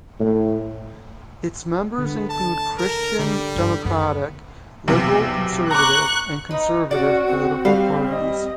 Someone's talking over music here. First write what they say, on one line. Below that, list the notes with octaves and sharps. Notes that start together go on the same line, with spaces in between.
Its members include Christian democratic, liberal conservative, and conservative political parties.
A2
D3 B3
A5
A#4
D3 G3
G#1 G2
F#2 B3
B1 E2 C3
A#5 C#6 D6 F#6
D#4 B4 D#5
C#4 F#4 D5 F#5
C4
G3 F5
D#5